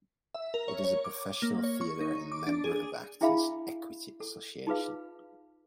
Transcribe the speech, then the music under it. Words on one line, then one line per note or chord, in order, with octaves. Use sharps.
It is a professional theatre and member of Actors' Equity Association.
E5
A#4
C#5
C#5
D6
A#3
C#5
C#6
D#4
D6
D4
G#4
D4 E4 G#4 E5 F5 B5
A4
D#4 F4 G#4 B4 F5